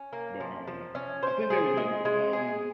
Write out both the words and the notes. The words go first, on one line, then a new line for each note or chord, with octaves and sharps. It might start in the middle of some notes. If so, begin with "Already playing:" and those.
But, um, I think there was an, um
Already playing: C#4
A#3
F3
F3
C#4
C5
G#4
G#3
G#3
G#4